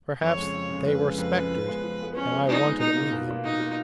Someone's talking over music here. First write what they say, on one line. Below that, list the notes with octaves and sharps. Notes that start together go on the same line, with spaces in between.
Perhaps they were Spectres, and I wanted a Medium.
F2 C#5
C#3 G#3
F2
C#3 G#3
F2 B4
C#3 G#3
F2 B4
C#3 G#3
F3
G#3 B3
F3
G#3 B3
F3 C#4
G#3 B3
F3 D#4
G#3 B3
B2 D#4
A#3 F4
B2
A#3 F4
B2 D#4
A#3 F4